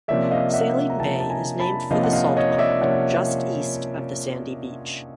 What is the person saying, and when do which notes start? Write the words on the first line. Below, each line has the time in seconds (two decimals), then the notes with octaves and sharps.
Saline Bay is named for the salt pond just east of the sandy beach.
0.08 C3 F3 A#3 C#4 D5 E5
0.31 D#5 F5
0.50 F5
0.54 E5 F#5
0.90 A#5
0.99 C3 F3 A#3 C#4 G5 A5
1.20 A5
1.30 G#5 A#5
1.60 A5 B5
1.90 C3 F3 A#3 C#4 D#5 F5
2.03 F#5
2.13 D#5 F5
2.37 C#5 D#5
2.52 D#5
2.58 D5 E5
2.81 C3 F3 A#3 C#4 E5 F#5